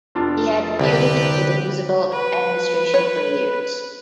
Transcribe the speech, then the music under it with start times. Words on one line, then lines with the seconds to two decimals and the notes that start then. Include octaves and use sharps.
He had feuded with the Roosevelt administration for years.
0.15 F1 D4 F4
0.79 C2 D3 G4 B4
2.12 B4
2.94 C#5